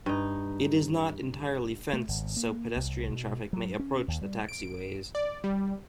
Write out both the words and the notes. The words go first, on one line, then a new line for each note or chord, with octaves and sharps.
It is not entirely fenced so pedestrian traffic may approach the taxiways.
G2 D#4
A3
G#1
A#3
C2
B2
F#3
C#4
D#2
G3
D7
D5
G3